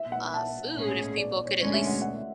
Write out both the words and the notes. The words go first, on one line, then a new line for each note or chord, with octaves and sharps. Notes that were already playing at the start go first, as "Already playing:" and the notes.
uh, food if people could at least
Already playing: E5
F#5
A5
A2 G#3 C#4 G#4
D5
D5
C#5
D2 D3 G#3 C#4 D5
E5
F#5
F#5